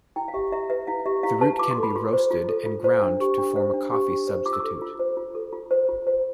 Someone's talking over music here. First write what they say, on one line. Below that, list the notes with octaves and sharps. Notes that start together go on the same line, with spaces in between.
The root can be roasted and ground to form a coffee substitute.
E4 G5
F5
G4 E5
E4 E5
B4 E5
E4 F5
G4 E5
E4 F5
B4 A5
F4 D6
C6
A4
B5
F4 C6
C5
F4
A4
F4
C5
D4
G4
D4
C5
D4
G4
D4
C5
F4 D6
E6
A4 D6
F4
C5
F4
A4
F4
C5
F4
C5